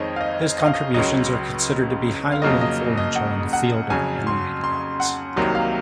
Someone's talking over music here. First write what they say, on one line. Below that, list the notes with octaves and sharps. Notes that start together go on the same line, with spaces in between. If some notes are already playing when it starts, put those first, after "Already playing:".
His contributions are considered to be highly influential in the field of animated arts.
Already playing: F2 D#3 G#3 C4 D#4 C#5 D#5
F5
D#5
D#5
F5
D#5
C#2 C#3 F#3 D#5
F5
F2 C#3 F#3 A#3 F4 D#5
D#5
D#5
F#5
F#5
F2 C#3 F#3 G#5
C6
C6
F#5
C2 C3 D#3 F#3 A#3
F5